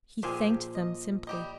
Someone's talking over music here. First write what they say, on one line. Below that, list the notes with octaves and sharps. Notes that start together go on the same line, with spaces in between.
He thanked them simply.
A#2 F3 G4 G#4 C5 G#5
D#5
G3 G4 D#5